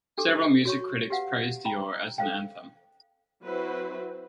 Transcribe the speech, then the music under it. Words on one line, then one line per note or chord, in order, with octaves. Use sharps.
Several music critics praised "Dior" as an anthem.
D4 G4 A4 D6
F#4 C#5 C#6
G4 B4 F5 F#5
G5 A#5 B5
A4 C5 F5 G5
F#3 C4 E4 F#4 B4 C5